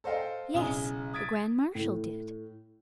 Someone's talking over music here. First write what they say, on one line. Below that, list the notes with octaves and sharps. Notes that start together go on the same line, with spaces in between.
"Yes; the grand marshal did."
A4 C5 D#5 F5 G5
B1 C#3 E4 G#5 D#6 G7
D#6 G#6 A6 B6 D7
A2